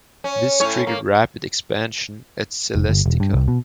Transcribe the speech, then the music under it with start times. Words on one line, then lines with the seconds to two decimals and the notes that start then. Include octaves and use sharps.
This triggered rapid expansion at Celestica.
0.24 C#4
0.60 A2 C#4 C#5
0.87 A#3
2.75 F1
2.89 G1
3.06 E1
3.20 G2
3.34 C2
3.48 B2